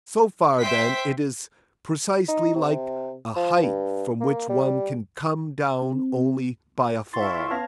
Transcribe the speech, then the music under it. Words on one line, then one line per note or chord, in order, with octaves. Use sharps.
So far, then, it is precisely like a height from which one can come down only by a fall.
C5 E5 G5 C6 B6
D#4
C3
F3
G2
A#3
G3
C4
E4 F4 C6 C#6 A6
B3 C#4 F5 A5 G#6 A#6